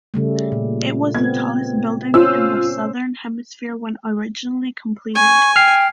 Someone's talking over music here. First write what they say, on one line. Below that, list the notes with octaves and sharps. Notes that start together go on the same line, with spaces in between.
It was the tallest building in the southern hemisphere when originally completed.
C#3 G3 A3
A#2
B3 C4 G#6
C#4 F4 C5 E6
G#5 C#6
G5 F6 C7